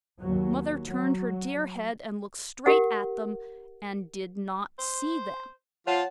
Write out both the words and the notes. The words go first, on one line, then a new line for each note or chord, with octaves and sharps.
Mother turned her dear head and looked straight at them, and DID NOT SEE THEM!
D#2 F#3
F#3
G4 A#4 F#5
C5
F3 F4 C#5 F#5 A5